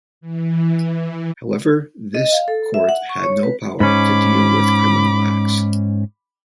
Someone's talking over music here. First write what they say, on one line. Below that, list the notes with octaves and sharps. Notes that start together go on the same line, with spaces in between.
However this court had no power to deal with criminal acts.
E3
D#5
F5
A4
E5
F#5
C#6
C#5
B4
G#2 C#4 B5 D6